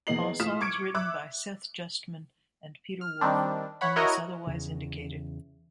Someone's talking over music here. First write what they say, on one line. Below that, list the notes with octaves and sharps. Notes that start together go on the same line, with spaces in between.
All songs written by Seth Justman and Peter Wolf unless otherwise indicated.
E2 E3 A#3 D#5 C7 F#7
A2 F4 D#6 F6 B6 E7
C#6 D6 G#6 C#7 D7
E5 D6 E6 F#6
F6
D#3 G3 C4 D4
C#5 F#5 B5
E4 F#4 A#4 C#5 D#5 A#5
E2 C#3